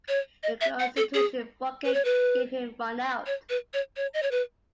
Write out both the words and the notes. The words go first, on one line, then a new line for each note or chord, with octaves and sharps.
In a close situation, Crockett gave him run out.
C#5
D#5
E5
F#5
A4
G#4
B4
C#5
B4
C#5
B4
C#5
C#5
D#5
C#5
B4